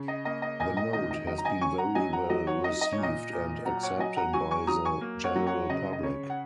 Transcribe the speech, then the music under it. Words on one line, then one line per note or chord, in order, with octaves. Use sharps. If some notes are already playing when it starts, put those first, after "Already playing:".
The note has been very well received and accepted by the general public.
Already playing: C#3
D#5
A#3 D#5
D#5
A#2 D#5 G#5
D#5
D#3 D#5
D#5
F#3 D#5
A#5
D#5 G#5
C#4 G#5 C#6
F#5 A#5
F#3 D#5 G#5
F#5 A#5
F#3 D#5
C#5 F#5
D#4 D#5
D#5
C#5
A#2
D#5
A#2
F#3 F#5 A#5
C#5 F#5
F#3 D#5 G#5
F#5 A#5
F#3 G#5 C#6
G#5 C#6
F#3 A#5 D#6
G#5 C#6
A#3
C#5 F#5
F#3
C#5 F#5
C#3 D#5
D#5
C#3 C#5
F#5